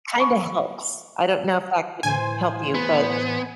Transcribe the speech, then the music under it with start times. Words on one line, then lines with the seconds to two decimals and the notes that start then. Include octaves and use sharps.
kinda helps. I don't know if that can help you, but
0.19 G#5 A5 B5 C#6 D6
2.03 A2 E3 C5 G#5
2.75 B3